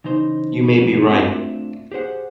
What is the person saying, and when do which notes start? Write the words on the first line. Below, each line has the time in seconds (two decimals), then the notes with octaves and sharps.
You may be right.
0.04 C#3 E3 D#4 C5
0.78 F2 B2
1.09 A3 C4 D4 F4 E5
1.92 G4 G#4 C5 F#5